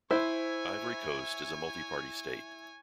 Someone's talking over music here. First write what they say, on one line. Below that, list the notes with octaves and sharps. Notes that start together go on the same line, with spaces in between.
Ivory Coast is a multiparty state.
E4 C5 C#5 G#5